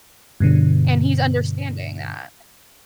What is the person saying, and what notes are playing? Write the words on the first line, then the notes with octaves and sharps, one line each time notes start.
And he's understanding that.
G2 B2 D3